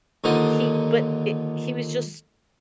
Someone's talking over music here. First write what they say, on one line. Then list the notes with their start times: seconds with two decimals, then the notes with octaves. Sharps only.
he but it he was just
0.24 D#2 A#2 D3 D#4 C5